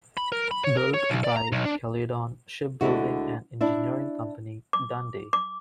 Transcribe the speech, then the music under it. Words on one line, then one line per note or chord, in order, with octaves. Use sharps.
Built by the Caledon Shipbuilding and Engineering Company, Dundee.
B5
A#4
B5
C#5
A#4
C#5
B1
D5
A#5
B1
D4
D2 D3 G#3 E4 F#4
D4 E4
D6
D6